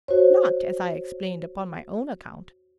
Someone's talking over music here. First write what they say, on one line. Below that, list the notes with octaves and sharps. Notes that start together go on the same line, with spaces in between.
Not, as I explained, upon my own account.
F#4 C5 C#5